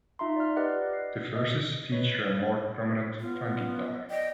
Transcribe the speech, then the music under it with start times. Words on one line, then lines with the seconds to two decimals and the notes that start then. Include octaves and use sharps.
The verses feature a more prominent funk guitar.
0.19 D#4 F4 E5 A#5 C6
0.36 D5 F6
0.57 G4 B4 D5 D#5 F#5 F#6
0.93 C7
1.35 D#5
1.92 B4 C#5
3.20 B3 F4
4.10 D5 D#5 G5